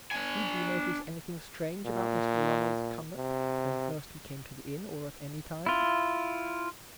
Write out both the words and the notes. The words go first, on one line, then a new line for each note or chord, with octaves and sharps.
"Did you notice anything strange about Mr. Ronald's conduct when first he came to the inn or at any time?"
D4 G#5
A#2
C3
E4 F4